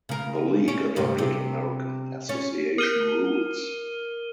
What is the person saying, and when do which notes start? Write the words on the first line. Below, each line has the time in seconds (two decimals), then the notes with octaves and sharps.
The league adopted American Association rules.
0.09 C#3 A#4
0.68 C#4
0.96 D2 G2 C3
1.18 C3
2.29 C#4
2.78 A#4 F6 D#7 G7